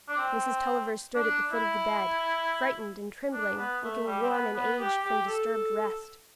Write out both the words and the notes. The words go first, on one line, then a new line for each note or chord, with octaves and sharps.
Mrs. Tulliver stood at the foot of the bed, frightened and trembling, looking worn and aged from disturbed rest.
D4
C4
D4
E4
D4
B3
A3
G3
C4
B3
B3
G4
G4
A4